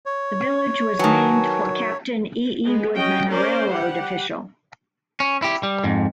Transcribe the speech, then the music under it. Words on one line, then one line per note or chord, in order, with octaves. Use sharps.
The village was named for Captain E. E. Woodman, a railroad official.
C#5
D#3 F#3 B4 G#5 A5
G#3 B3
C#4 F#4 D#5 G5
C#4 A#4 C5 D5
G3 G4 F#5
C#4
E4 G4
G3
F2 G#2